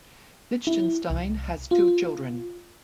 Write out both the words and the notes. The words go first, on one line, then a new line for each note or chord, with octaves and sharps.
Lichtenstein has two children.
E4
C2
F4